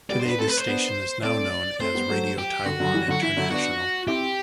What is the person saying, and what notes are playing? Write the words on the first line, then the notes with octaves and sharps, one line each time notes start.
Today, this station is now known as Radio Taiwan International.
G3 B3 D5
C5
B3 D4
B4
A3 C4 A4
B4
C5
B3 D4
A3 C4 D5
A3 C4 C5
G3 B3
F#3 A3
G4
D3 F#4
D3 F#3
E3 G3
D3 F#3
F#4
E3 E4
D3 F#3
B3 D4 F#4
C4 E4 G4